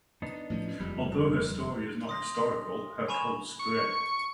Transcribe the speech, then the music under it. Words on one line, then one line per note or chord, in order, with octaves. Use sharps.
Although her story is not historical, her cult spread.
B3 D4 D#4
A2 F3 C#4
D#1 F2 G3 G#3
C6 D#6 A#6
G#5 B5 C#6 E7 F7
C#6